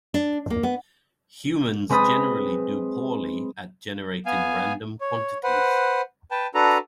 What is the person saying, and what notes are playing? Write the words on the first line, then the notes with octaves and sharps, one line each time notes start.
Humans generally do poorly at generating random quantities.
D4
A#3
B3
G#3 C4 B4 B5 D#6 A6
B3 F5 G#5
C#5
B4 C5 F#5
B4 G5 A5
D4 F#4 A4 B4 A#5